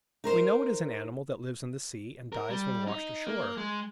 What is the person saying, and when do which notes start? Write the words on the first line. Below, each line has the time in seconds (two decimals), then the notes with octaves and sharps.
We know it is an animal that lives in the sea, and dies when washed ashore.
0.24 D#4 A#4 C5
2.33 A#4
2.50 G3
2.88 D#4
3.26 A#3
3.58 G#3